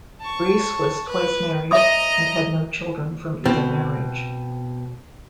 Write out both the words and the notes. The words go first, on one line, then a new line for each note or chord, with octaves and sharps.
Breese was twice married, and had no children from either marriage.
A5 C#6
B4
D#5 E5 A#5 D6 D#6
B2 C4